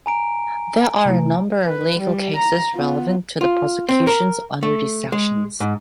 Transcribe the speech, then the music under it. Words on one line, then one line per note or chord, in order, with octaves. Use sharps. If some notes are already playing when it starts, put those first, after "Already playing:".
There are a number of legal cases relevant to prosecutions under these sections.
G#5 A#5 D7
C3 A3 E4
B4
G3
A#5
B3 F4
F4
C4
A#4
A3
G#3
G#2